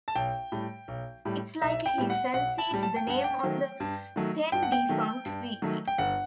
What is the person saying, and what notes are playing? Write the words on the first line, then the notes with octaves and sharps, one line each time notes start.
It's likely he fancied the name of the then-defunct weekly.
A5
B1 G5
A2 G3
B1
A2 G3
B1 E5
G5
A2 G3
F#5
B1 F#5
A5
A2 G3
A5
G5
G2 F#5
G5
D#3 F#3 A3
G2
D#3 F#3 A3
G2 G5
F#5
G5
D#3 F#3 A3
G2
D#3 F#3 A3
G5
G1 F#5